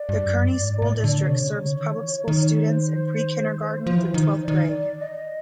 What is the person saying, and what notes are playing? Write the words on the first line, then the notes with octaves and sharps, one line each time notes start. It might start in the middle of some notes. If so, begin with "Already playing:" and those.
The Kearny School District serves public school students in pre-kindergarten through twelfth grade.
Already playing: D5
G2
F#2
G2
G#2
A2
D3
C3 C#5
C#3
D3
D#3
E3
D#3
C5
F3
E3 C5
D#3
C5
D5
D#3
D5
D#5